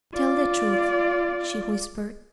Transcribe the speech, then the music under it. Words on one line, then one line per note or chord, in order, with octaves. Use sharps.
"Tell the truth," she whispered.
F4 D5